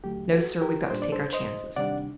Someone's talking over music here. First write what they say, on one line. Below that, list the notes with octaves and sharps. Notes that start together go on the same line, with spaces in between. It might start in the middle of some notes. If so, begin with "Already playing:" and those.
No, sir--we've got to take our chances.
D#2 D3 F#3 A3 G4
F#4 A4
G4 A#4
A#2 G3 D4 C5
D5
A4 C5
C5 D#5
C3 D#3 G3 D4 D5 F#5